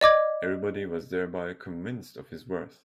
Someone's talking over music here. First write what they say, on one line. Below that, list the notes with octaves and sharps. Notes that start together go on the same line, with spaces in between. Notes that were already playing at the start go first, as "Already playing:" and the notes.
Everybody was thereby convinced of his worth.
D5 D#5 D6 G#6